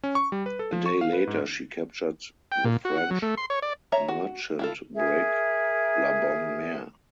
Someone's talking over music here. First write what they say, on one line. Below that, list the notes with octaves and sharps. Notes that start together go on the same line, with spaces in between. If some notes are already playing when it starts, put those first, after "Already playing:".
A day later she captured the French merchant brig "La Bonne Mere".
C#4
C#6
G3
B4
A4
F3
C#6
F5
B4
G#2
G5
A#2
F#4
F#5
F#3
A3
C6
C#5
D5
C#5 E5 A#5
F#4
E4 F4 A4
G#4 A#4 E5